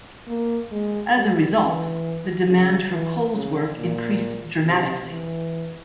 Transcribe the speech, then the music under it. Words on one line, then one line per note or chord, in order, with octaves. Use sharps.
As a result, the demand for Cole's work increased dramatically.
A#3
G#3
G3
E3
C#3
E3
C#3
A#2
C3
E3